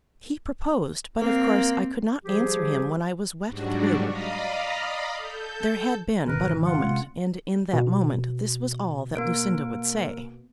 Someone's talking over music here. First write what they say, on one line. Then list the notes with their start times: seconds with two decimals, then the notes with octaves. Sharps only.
"He proposed; but of course I could not answer him when I was wet through." There had been but a moment, and in that moment this was all that Lucinda would say.
1.21 A#3 C4
2.25 F3 G3 G4 G#4
3.47 G#2 F#3 G3 D4 F#4
4.06 D5 D#5 F5 A#5 B5 D#6
5.17 A4 G6
6.28 G#1 B2 D#3 A#4 B4
6.66 F4 F#5
6.80 C3 G#3 C#4
7.73 B2
9.15 A#3 A#4 D7